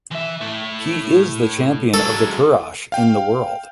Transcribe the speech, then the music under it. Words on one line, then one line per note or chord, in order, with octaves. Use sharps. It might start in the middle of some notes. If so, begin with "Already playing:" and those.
He is the champion of the Kurash in the world.
E3 E5
A3 E4
F#3 G#3 A4
F5 G5